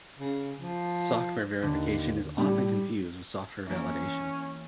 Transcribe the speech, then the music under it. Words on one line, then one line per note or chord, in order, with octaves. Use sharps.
Software verification is often confused with software validation.
C#3
F3
D#2 D3
A2 G3
E3 A#3 C#4